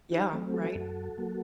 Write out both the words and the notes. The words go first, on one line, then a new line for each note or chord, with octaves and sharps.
Yeah, right?
D#4 G4
F#3 A3 C4
F#4 A4
F#2
F#3 A#3